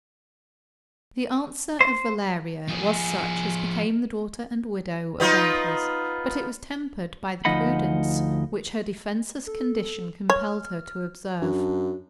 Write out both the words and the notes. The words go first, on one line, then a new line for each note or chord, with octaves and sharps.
The answer of Valeria was such as became the daughter and widow of emperors, but it was tempered by the prudence which her defenceless condition compelled her to observe.
C5
F3 G#4
B3 D#4 F4
D2 F3 D#4 D#5 F#5 B5
A4
C#5 F6
F#2 D4